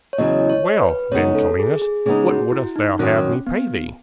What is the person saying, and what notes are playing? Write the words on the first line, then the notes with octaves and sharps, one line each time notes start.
'Well, then, Calenus, what wouldst thou have me pay thee?'
C#5
E2 C#3 F#3 D#5
C#5
B4
C#3 G#3 B3 D#4 C#5
A4
G#4
G#4
C#3 G#3 B3 D#4 G#4
F#4
E4
D#4
F#2 D#3 F#3 C#4
B3